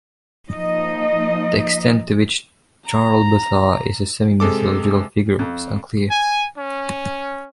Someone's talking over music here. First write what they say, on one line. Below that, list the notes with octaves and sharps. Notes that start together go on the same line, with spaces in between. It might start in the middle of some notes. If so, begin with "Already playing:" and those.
The extent to which Jarl Buthar is a semi-mythological figure is unclear.
F3 A#3 D#4 D#5
A#5
C3 G#3 A4 D6
F2
G#5
C#4